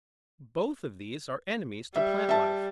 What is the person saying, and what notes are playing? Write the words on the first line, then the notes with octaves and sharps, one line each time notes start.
Both of these are enemies to plant life.
G3 E5
E5 A5